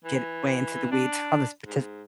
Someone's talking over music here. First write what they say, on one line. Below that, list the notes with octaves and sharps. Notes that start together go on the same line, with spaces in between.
get way into the weeds on the spetif
E3
D4
G#2